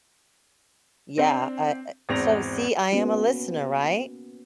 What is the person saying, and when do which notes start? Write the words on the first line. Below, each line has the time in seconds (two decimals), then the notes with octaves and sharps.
yeah, I, uh So see, I am a listener, right?
1.18 C4 D4 C5
2.09 G#1 E2 C4 A#6 F7
2.92 A#3 B3 C#4 F#4